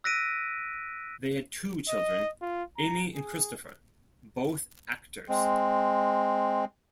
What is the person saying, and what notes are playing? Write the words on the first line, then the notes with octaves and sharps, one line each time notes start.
They had two children, Amy and Christopher, both actors.
E6 F#6 A#6 B6 D7 D#7
D#5
F4
A#5
G#4
G#3 C4